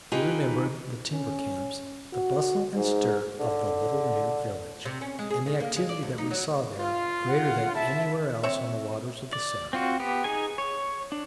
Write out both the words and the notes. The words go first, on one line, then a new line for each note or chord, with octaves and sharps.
We remembered the timber camps, the bustle and stir of the little new village, and the activity that we saw there, greater than anywhere else on the waters of the Sound.
D#4 F4 G4 B4 G#5
C#4
F#4
G#2
D3
C3
C#4
G#3
G#4
D#3
A#3
G#3
D5
D2
D#4
F#3
F4
F#5
E4 E5 A5
C4 C#5 E5
D5
C4 F4 F#4
B3 G4
D#4 G#4 G#5
C#5
D4